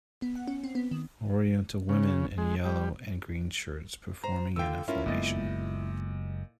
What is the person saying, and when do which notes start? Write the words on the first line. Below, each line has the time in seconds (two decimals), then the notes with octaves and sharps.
Oriental women in yellow and green shirts performing in a formation.
0.22 B3
0.35 F#5
0.48 C#4
0.64 C4
0.75 B3
0.91 D#3
1.89 C#3
2.38 G#3
2.65 G3
4.24 C5 A#5
4.56 D3 F4 G5 E6
4.88 C#4 E4 F4 A#4
5.06 F#1 A#2 G#3 B3 D#5 A6